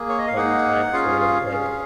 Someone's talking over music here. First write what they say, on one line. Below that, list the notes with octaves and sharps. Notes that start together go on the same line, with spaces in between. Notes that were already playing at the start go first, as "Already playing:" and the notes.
one time for, like,
Already playing: A#3 G#4
C#5
D#5
F5
A#3 D#4 G#4 F#5
C#4 F4 G#4 F5
F5
C#4 G#4